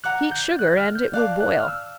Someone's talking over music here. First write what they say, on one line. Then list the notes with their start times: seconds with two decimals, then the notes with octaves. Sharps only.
Heat sugar and it will boil.
0.04 D5 F#5 A#5 F#6
0.32 G6
0.59 F#6
0.77 F6
0.95 G6
1.13 D5 F5 A5 D6 F#6
1.41 F#6
1.60 F6
1.68 E6